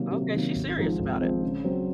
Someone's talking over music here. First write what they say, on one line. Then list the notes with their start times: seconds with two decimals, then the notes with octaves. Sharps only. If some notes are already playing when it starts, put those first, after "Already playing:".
Okay, she's serious about it.
Already playing: C3 D#3 F#3 A#3
0.12 C3
0.34 D#3 F#3 A#3
0.56 G#1
0.77 G#2 F3 C4 D#4
0.99 G#1
1.21 G#2 F3 C4 D#4
1.42 C#3
1.64 F#3 C4